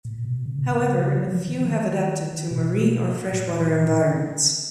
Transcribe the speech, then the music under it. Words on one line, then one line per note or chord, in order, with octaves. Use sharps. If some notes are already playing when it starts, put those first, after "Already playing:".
However, a few have adapted to marine or freshwater environments.
A#2
B2
C#3
B2
C#3
F#3
F3
D#3
F3
D#3
B2
A#2